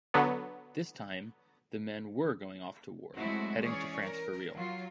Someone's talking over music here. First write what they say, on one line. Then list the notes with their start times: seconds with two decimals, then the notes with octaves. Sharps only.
This time, the men "were" going off to war, heading to France for real.
0.14 D3 F#3 B3
3.15 F#3 G#3 A3 C4 E4 F#4
3.61 E3 C#4 G#4 C#5 D5
4.03 A#4
4.54 F#3 F4